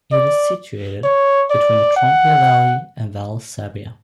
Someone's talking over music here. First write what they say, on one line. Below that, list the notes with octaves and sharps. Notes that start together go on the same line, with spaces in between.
It is situated between the Trompia valley and Val Sabbia.
D5
C#5
D5
F#5